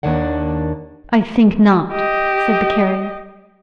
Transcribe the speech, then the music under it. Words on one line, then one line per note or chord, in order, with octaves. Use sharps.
"I think not," said the Carrier.
D#2 D#3 A#3 D4 F#5
G4 D#5